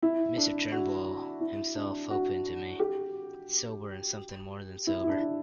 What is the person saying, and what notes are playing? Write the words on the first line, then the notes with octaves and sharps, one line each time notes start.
Mr Turnbull himself opened to me—sober and something more than sober.
E4
D4
F#4
E4
D4
F#4
G4
E4
E4
D4